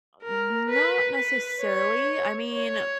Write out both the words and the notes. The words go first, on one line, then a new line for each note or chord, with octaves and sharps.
not necessarily. I mean,
A#4
B4
B4
C#5
C#5